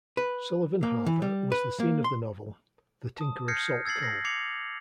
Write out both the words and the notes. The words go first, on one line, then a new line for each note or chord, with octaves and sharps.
Sullivan Harbor was the scene of the novel "The Tinker of Salt Cove".
B4
A#3
E3
G3
B4
A#3
C6
A5 D#6
F6 G6 G#6 A#6 C7 C#7
E6 G#6 A6 C7 F#7
A#6 C7
D6 G#6 C7 C#7 F7 F#7